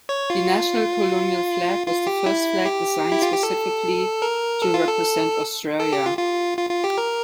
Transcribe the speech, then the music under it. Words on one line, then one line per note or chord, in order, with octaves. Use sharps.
The National Colonial Flag was the first flag designed specifically to represent Australia.
C#5
F4
F4
G4
E4
G4
E4
F4
G4
A4
A#4
A4
F4
A4
A4
G4
F4
F4
F4
F4
G4
A#4